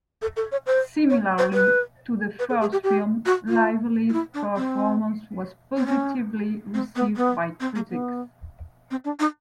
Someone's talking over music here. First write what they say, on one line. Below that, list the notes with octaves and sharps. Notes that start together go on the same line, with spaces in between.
Similarly to the first film, Lively's performance was positively received by critics.
A4
A4
C#5
C5
C#5
C5
B4
B4
A4
G#4
G4
G4
F#4
F4
F4
E4
D4
C4
C4
C#4
C4
B3
B3
C4
A#3
B3
C4
D4
D#4